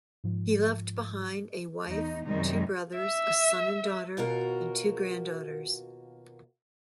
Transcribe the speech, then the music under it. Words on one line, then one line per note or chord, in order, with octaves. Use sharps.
He left behind a wife, two brothers, a son and daughter, and two granddaughters.
G#2 F3
E2 D#4
F#2 C3 D#3 G3 G#3 D#4
E5
D#2 B2 F4 F#4 A#4